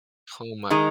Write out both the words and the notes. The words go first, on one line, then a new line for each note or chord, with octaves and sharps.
Oh my
D#3 G#3 D#4